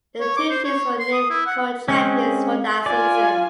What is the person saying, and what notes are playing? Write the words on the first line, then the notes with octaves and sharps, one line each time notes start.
The two teams were named co-champions for that season.
C#5
D6
C5
C#5
C6
D#6
E4
F#5
G#3 C4 C#4
F4 D5 G#5